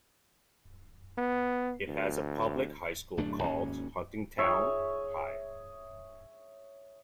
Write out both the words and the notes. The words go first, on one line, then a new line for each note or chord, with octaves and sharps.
It has a public high school called Huntingtown High.
B3
D2
D1 F#2 A3 D4
G#1 D#2 D#3 C#4
G#4 C#5 E5